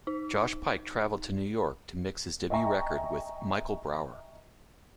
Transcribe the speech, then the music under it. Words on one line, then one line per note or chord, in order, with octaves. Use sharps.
Josh Pyke travelled to New York to mix his debut record with Michael Brauer.
D#4
D#5 E5 G5 G#5 A#5 C#6